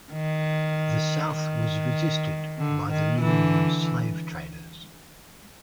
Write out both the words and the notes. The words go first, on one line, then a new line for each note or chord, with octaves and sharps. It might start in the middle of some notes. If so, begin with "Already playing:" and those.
The South was resisted by the New England slave-traders.
D#3
D#3
D3
D#3
D3 E3